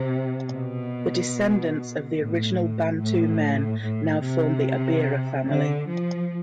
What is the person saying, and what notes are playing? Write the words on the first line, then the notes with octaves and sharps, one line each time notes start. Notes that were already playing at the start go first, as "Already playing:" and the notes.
The descendants of the original Bantu men now form the Abira family.
Already playing: C3
B2
A2
A2
A2
C3
D3
F3